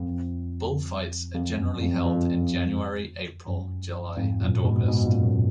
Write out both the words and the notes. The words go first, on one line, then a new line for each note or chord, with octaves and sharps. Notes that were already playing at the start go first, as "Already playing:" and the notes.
Bullfights are generally held in January, April, July, and August.
Already playing: F2
F2
F#2
F2
F2
F#2
F2 G#2
F#2 A#2
G#2 B2
G#2 B2
F#2 A#2
F#2